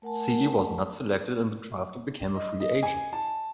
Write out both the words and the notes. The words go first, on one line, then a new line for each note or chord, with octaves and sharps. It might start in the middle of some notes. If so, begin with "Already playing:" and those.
Sealy was not selected in the draft and became a free agent.
A3 A#4 F#5 G#5 A5
D#5
D#5
G#5
A5